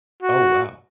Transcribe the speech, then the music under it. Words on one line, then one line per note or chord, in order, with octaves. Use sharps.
Oh wow.
F#4